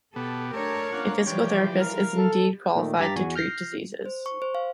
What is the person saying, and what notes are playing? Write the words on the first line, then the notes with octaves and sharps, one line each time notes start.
A physical therapist is indeed qualified to treat diseases.
B2 B3 G4 A4
A3 D4 A#4 C#5
A#3 C#4 F4 F#5
E3 F3 G3 G4 C#5 D5
A#4 F5
A4
A#2 D#3 A3
G2 G4 A#5 A6 B6
E2 F#4 G#5
F6 G6 A#6 C7
C5
C#6
C5
F5